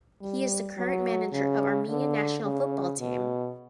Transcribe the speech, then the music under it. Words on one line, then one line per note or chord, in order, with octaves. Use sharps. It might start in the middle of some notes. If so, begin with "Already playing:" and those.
He is the current manager of Armenia national football team.
G3
F#3
C#3
D3
C#3
B2